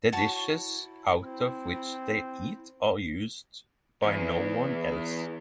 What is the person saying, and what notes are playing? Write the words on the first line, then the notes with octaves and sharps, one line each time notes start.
The dishes out of which they eat are used by no one else.
E4 F#4 C#5 A5
C4
E2